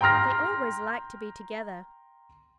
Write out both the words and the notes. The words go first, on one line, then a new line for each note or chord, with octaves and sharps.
They always like to be together!
G5 A#5 C6 F6 A#6